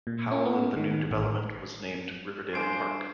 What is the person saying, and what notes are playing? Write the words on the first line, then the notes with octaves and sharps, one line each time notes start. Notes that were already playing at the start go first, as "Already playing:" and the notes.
Howell and the new development was named Riverdale Park.
A#2
C#4
B3
D#3
A1
C#2 G3 G#3 A#3 D4 C5 C6 D7